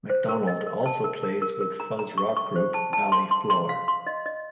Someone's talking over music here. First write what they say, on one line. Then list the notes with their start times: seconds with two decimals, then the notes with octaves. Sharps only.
MacDonald also plays with fuzz rock group 'Valley Floor'.
0.10 C5
0.29 A#4
0.47 D#5
0.67 A#4
0.86 A5
1.04 A#4
1.24 A#4
1.42 A#4
1.61 A#4
1.80 A#5
1.99 A#5
2.18 C#6
2.37 C#6
2.56 C5
2.74 A5
2.93 A5
3.12 C6
3.31 C6
3.50 C6
3.69 F5
3.88 C6
4.07 D#5
4.26 D#5